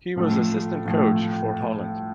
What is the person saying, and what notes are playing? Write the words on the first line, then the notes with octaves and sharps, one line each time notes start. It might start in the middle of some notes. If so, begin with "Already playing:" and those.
He was Assistant Coach for Holland.
A2 F3 A3
A2 F3 A3